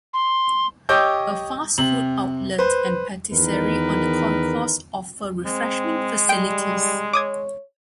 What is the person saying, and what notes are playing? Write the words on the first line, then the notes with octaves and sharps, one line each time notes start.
A fast food outlet and patisserie on the concourse offer refreshment facilities.
C6
G4 C#5 D#5 D6 E6 G6
C3 F#7
B4 C5
E2 D#3 D#4 A#4 B4
G#3 C4
G3 G5 D7
C#5 D6 D#6 G#6